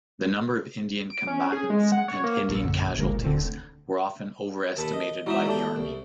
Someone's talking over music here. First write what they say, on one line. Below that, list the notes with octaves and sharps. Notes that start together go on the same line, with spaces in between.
The number of Indian combatants and Indian casualties were often overestimated by the army.
D7
C#4
G#4
G#3
F#5
C#5
A#3
A#1 E6 C#7
F#2 D3
G1 D3 G#3 A#3
C2 A#2
D#1 D2 D3 C4
D#2 A4 B4
D#5
F#3 G#3 D#4 E4 F#4 E5
G4 A4 D5 G5 A5
C2